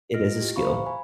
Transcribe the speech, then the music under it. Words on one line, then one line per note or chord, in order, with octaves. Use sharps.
It is a skill.
F4 D#5 F6 A#6 D7
E4 G4
C5 E5 F5 A#5 B5 C#6
G#5 B5